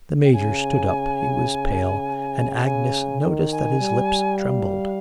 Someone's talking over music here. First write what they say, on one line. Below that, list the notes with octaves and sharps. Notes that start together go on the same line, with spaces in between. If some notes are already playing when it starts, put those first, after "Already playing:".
The Major stood up, he was pale, and Agnes noticed that his lips trembled.
G5
C#3 G#5
G5
C#3 G#5
D#3
G5
G#5
G3
F5